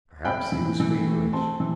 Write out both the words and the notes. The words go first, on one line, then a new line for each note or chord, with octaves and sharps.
Perhaps he was feverish.
C4 G5 B5
E3
E3
A3
C4 A5 C6
E3